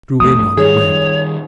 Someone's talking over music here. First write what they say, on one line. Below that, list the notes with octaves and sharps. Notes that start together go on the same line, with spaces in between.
It drew in on the web.
A#1 E2 A3 D#6
D#3 G3 G#4 C#5